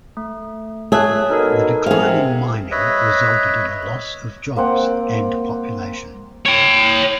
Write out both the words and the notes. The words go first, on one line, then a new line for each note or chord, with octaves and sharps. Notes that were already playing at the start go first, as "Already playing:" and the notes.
The decline in mining resulted in a loss of jobs and population.
A3
G#4 C#5 E5 A5 F#6
B2 D#4 A4 A#4
C3 G#4 F5
B4 C#5 D#5 E5
A#3 C4 F#5 G5
C#5 G5